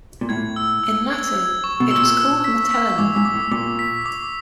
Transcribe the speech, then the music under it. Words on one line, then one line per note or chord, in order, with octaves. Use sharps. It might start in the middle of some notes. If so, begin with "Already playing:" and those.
In Latin, it was called "Metellinum".
A#2
A2 G#6
E6
E6
G#6
G#6
C#6
B2
A#2 E6
E6
B6
B6
G#2 D6
G#2
D6
A2
A#2 D6
B6
D6